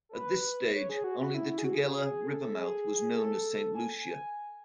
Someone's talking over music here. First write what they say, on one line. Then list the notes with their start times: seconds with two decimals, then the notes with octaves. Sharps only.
At this stage, only the Tugela River mouth was known as Saint Lucia.
0.09 A4
0.13 B4
0.74 C#5
0.89 G#4
1.04 F#4
1.19 F#4
1.34 E4
1.49 E4
1.58 G#4
1.64 F#4
1.74 G#4
1.84 G#4
2.25 A4
2.40 A4
2.55 G#4
3.15 A4
3.75 G#5